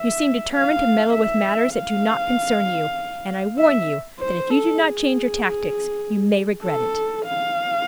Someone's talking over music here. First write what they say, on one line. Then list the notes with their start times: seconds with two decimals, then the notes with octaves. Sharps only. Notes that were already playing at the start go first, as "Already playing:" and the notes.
You seem determined to meddle with matters that do not concern you, and I warn you that if you do not change your tactics you may regret it.
Already playing: E5
0.53 F5
1.14 E5
1.75 F5
3.59 E5
4.20 C5
4.51 A4
4.80 G#4
6.64 A4
7.26 F5